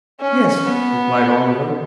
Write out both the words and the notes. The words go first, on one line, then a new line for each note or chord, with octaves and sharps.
'Yes,' replied Oliver.
C#4
B3